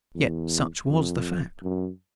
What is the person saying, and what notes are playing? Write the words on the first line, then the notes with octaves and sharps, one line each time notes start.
Yet such was the fact.
E2
F2
F#2